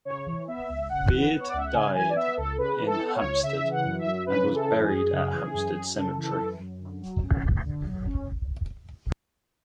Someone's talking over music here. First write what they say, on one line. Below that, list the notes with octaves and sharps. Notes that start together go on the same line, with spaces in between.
Beard died in Hampstead and was buried at Hampstead Cemetery.
C#3 C#5
E3
B3 E5
C#2
C#3 F#5
E3
B3
C#5
D5
C#2 E5
F#5
C#3 G#5
E3 G#5
D5
B3 E5
C#2 A4
C#3 B4
E3
A4
B3
C#5
C#2
C#3 E5
E3
F#5
F#2
E5
F#2
C#3 B4
E3
A4
F#2
G#4
F#2
C#3
E3
F#2
F#2
C#3 A4
E3
A4
F#2
F#2
D3
F#3
C#4
D2
D3
F#3
C#4